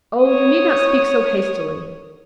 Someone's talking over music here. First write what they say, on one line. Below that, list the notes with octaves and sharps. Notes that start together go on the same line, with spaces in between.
'Oh! you need not speak so hastily.
C#5 D#6